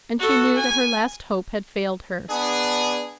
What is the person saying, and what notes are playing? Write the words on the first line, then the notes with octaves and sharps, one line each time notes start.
And she knew that her last hope had failed her.
F#4 A4
G#5
B3 D4 G#4